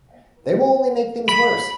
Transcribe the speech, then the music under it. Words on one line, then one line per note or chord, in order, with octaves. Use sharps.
They will only make things worse.
B5